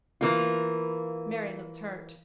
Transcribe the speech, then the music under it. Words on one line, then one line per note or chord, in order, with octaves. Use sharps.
Mary looked hurt.
E3 A#3 F4